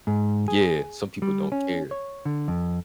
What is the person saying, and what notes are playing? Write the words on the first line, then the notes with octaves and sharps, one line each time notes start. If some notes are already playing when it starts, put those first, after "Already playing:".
yeah, some people don't care.
G#2
G#4
G3
C#4
C#5
D3
F2